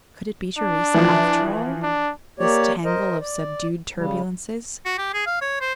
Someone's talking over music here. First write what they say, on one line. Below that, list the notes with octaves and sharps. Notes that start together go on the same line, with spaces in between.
Could it be Theresa, after all, this tangle of subdued turbulences?
D4
E3 F3
D4
A#3 G4 C#5 D5
A#4 C5 D#5
D5
C#3 G3
F#4
G4
G#4
F5
C#5
C5